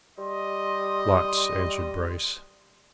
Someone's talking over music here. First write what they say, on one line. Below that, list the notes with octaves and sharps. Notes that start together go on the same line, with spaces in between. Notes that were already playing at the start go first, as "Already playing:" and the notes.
"Lots!" answered Bryce.
G3 D#5 C6